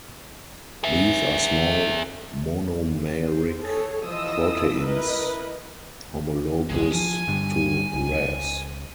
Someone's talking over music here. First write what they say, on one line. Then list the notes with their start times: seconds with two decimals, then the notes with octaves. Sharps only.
These are small monomeric proteins homologous to Ras.
0.84 G#4 E5
3.26 C5
3.60 G#4 A4 C#5
4.05 E3 F3 F4 D#5 D#6 E6
4.81 E4 A#4 B4 D#5
6.70 G#1 C#2 B2 G#3
6.92 F3 G#5
7.28 G2 D3 G3
7.94 C#2